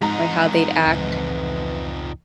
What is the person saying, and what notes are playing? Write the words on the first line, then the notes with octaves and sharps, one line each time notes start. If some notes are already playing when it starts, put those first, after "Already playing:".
like, how they'd act.
F2 G#2 D#4 A#5
C#2 A2 E3 F#3